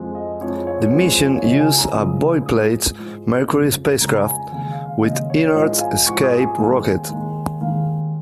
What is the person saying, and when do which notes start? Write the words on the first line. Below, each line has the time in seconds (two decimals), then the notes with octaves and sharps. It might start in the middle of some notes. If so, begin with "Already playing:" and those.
The mission used a boilerplate Mercury spacecraft, with inert escape rocket.
Already playing: F2 F3 G#3
0.15 D#5
0.41 F2 F3 G#3 C#5
0.67 C#5
0.92 F2 F3 G#3
1.36 C#5
1.43 C#2 C#3 F3 G#3 D#5
1.60 G#5
1.78 A#5
1.95 C#2 C#3 F3 G#3 D#6
2.46 G#2 F3 G#3 D#6
2.98 G#2 F3 G#3
3.50 F2 C#3 G#3
4.00 F2 C#3 G#3 A#5
4.15 A#5
4.26 G#5
4.52 D#2 C#3 G#3 G#5
4.70 F5
4.86 F5
5.04 D#2 C#3 G#3 D#5
5.30 C#5
5.54 G#2 F3 G#3 D#5
5.77 F5
5.81 G#5
6.06 G#2 F3 G#3 C#6
6.24 D#6
6.41 G#5
6.57 D#2 D#3 G#3
7.09 D#2 D#3 G#3
7.61 D#2 D#3 G#3 F5